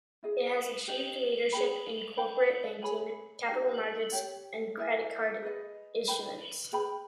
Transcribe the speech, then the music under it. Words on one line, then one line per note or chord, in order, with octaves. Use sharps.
It has achieved leadership in Corporate Banking, Capital Markets and Credit Card issuance.
E4 G#4 D#5
G4 B4 D#5
G#4 B4 G5 B5
B4 G5 B5
G#4 C#5 G#5 B5
D#4 G4 B4 G5
G4 C#5 G5
E4 A#4 E5 G#5
G#4 B4 D#5
B4 G5 B5
G#4 B4 G5 B5